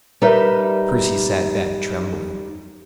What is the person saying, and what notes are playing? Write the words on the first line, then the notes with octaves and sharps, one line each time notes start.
Percy sat back, trembling.
G3 D#4 G4 A#4 B4 E5